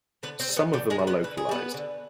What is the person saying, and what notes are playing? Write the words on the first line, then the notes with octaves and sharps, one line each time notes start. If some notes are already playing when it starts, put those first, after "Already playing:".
Some of them are localized.
D3 B3 B4
C4 C5
G3
B3 B4
D3 G3 G4
G#3 G#4
G3
B3 B4
D3 B4
G#4
G3 B3 B4
D3